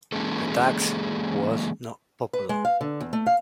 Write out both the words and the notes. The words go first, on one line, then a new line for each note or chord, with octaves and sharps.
The tax was not popular.
E3 G#3 A#3 C#4 G#4 A4
B4
G#3
F5
D3
E2
A3
F5